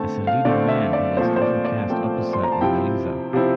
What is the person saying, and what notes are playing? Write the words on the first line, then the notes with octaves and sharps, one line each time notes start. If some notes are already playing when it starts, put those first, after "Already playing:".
As a leading man, he was often cast opposite Mona Lisa.
Already playing: D3 A3 C4 A5
F5
D3 A3 C4 D5
E5
D5
A#2 F3 A3 C4 C5
C5
D5
D5
A#2 F3 A3 C4 G5
C6
A#5
A5
C3 F3 C4 E4 G5
C3 F3 C4 E4